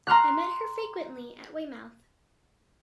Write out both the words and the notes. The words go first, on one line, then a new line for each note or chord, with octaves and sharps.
I met her frequently at Weymouth.
A#5 C6 F6 F#6